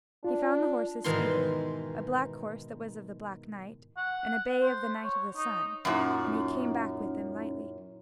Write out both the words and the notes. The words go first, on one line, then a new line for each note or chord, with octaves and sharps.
He found the horses speedily, a black horse that was of the Black Knight, and a bay of the Knight of the Sun, and he came back with them lightly.
D4 F4
G#2 B2 D#3 E3 D#4 C6
F#5
C5
C#5
D#4
F#2 A#2 C#4 D#4 E4